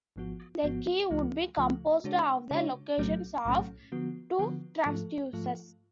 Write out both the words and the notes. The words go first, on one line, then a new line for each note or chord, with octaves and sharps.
The key would be composed of the locations of two transducers.
G#1 G#2 F3 B3 F#4
G#1 G#2 F3 B3 F#4
C#2 C#3 F3 A3 F4
C#2 C#3 F3 A3 F4
C#3 G#3 D4 F#4 C#5
C#3 G#3 D4 F#4 C#5
B1 A2 F#3 A3 C#4
B1 A2 F#3 A3 C#4
D3 F3 B3 F#4
D3 F3 B3 F#4
G#2 F3 A3 F4 A4
G#2 F3 A3 F4 A4